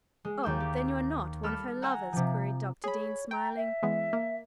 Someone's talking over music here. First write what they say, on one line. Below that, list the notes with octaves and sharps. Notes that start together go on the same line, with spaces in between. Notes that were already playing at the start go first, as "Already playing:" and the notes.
"Oh, then you are not one of her lovers?" queried Dr. Dean smiling.
G#3
D#2 G5 E6
G4
G3 A4 B5 F6 E7
F#5 G#5 A#5 E6
C3 F3
G#4 C#5 B5
G5 A#5
E5
E3 G#3 B3
A#3